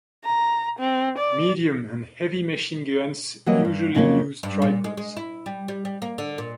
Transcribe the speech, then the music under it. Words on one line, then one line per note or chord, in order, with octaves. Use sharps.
Medium and heavy machine guns usually use tripods.
A#5
C4
D5
E3 F#3 G3 A#3 C#5 D#5
G2
F2 C#3 F#3 A#3 C#4
G2
A#2
G#3
G#3
E4
G3
G3
G3
A#3
D3
A#2